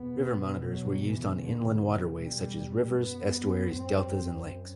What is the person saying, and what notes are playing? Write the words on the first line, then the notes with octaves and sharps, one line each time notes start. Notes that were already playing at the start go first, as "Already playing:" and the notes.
River monitors were used on inland waterways such as rivers, estuaries, deltas and lakes.
Already playing: E2 B2 B3
F#3
E3
D3
G3
F#2 B3
C4